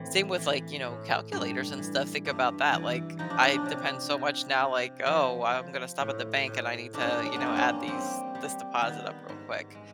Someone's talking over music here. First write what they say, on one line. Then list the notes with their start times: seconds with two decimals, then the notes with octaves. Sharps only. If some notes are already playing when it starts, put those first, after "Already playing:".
Same with, like, you know, calculators and stuff. Think about that, like, I depend so much now, like, "Oh, I'm gonna stop at the bank, and I need to," you know, "add these this deposit up real quick."
Already playing: A2 E3 C4
0.38 E3
0.85 A2
1.32 G2
1.78 E3
2.25 G2
2.72 E3
3.19 F3 D#4
3.30 D4
3.41 C#4
3.53 D4
3.66 C3
4.13 C3
4.60 C3
5.07 F3
5.53 F3
6.00 A2
6.47 A2
6.94 G#2 D4
7.02 C#4
7.10 D4
7.26 D4
7.36 A#3 B3
7.46 C4
7.57 C#4
7.87 G3 C4
8.35 G3
8.82 D#3 B3
9.29 G#2
9.75 G#3